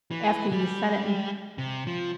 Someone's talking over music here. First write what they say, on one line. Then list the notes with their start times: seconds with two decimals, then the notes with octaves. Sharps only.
after you've said it, and
0.11 E3
0.52 G3
1.58 C3
1.87 F3